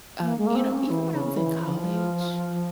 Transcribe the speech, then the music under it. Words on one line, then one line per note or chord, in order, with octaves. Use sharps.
um, you know, even when I was in college,
A#3
G#3
A#3
C4
C#4
E3
C#3
E3
F3